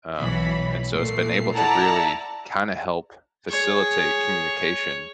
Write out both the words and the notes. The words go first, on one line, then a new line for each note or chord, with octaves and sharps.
Um, and so it's been able to really kinda help facilitate communication
B1 B2 E3 C#5 B5
A#2 A3 C7
E4 A4 D5 F#5 A5 A#5
G#4 C#5